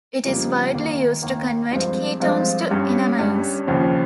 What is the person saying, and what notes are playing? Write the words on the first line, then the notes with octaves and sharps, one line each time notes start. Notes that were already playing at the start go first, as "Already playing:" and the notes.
It is widely used to convert ketones to enamines.
F2 C#3 G3 A#3
D#2 D#3 A#3
D#2 D#3 A#3
G2 F3 G#3 C4 F4
G2 F3 G#3 C4 F4
G2 G3 C#4
G2 G3 C#4
D#2 C#3 F3